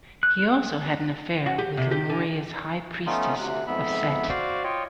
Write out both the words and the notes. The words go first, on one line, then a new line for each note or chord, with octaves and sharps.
He also had an affair with Lemuria's High Priestess of Set.
F#6
F#4
G4
C3
G4
D3
A3 B3 C#4 D#4 F4
D2 C3 F#6
F2 G#2 B3 E5 B5
F#4 C5 D5 F5
F4 C#5 D#5 G5